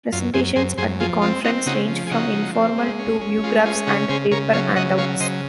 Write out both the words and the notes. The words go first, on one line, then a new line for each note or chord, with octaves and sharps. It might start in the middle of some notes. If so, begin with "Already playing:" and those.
Presentations at the conference range from informal to viewgraphs and paper handouts.
F#2 F4
F#2 G#4 C5
F#2 G#4 C5
F#2 G#4 C5
F3 F4 G#4
C4 F4
C4 D#4 F#4
C#3 D#4 F#4
F3
G#4
C#3 D#4 F#4
F3
C4
G#3
C#4
C#4
G#3 F4
C#4 F4
C#3 D#4 F#4
C#3 G#4 C5
C#3 A#4 C#5
F#3 C#5 F5
C#3 D#5 F#5
F#3 C#5 F5
C#3 C5 D#5